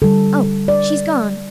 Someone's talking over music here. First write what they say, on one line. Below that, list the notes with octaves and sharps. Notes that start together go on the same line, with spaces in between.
"Oh! she's gone!"
D3 G3 A4
D5